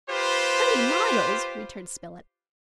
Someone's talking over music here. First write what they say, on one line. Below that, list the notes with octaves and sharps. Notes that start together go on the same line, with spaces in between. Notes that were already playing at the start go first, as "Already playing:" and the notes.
"Thirty miles!" returned Spilett.
F4 G4 B4 C5